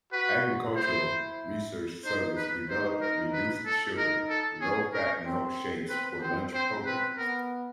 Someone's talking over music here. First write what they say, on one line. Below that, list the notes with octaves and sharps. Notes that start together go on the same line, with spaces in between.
Agricultural Research Service developed reduced-sugar, low-fat milk shakes for lunch programs.
F#4 B4
E4 C5
D#4 C5
B4
D#4 C5
A#4
B4
A4
D#4 A#4
A4
C#4 G#4
C#4 A#4
C4
C4 B4
C4 C5
C4 C5
C4 B4
B3 A#4